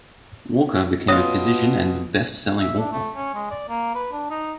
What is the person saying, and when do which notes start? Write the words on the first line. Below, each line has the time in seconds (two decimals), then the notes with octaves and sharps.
Walker became a physician and a best-selling author.
1.08 B2 F4 B4 C#5 D#6
2.60 E5
2.79 D4
2.92 A3
3.16 C#4
3.35 G#3
3.51 D5
3.69 A#3
3.95 B4
4.12 D4
4.30 D#4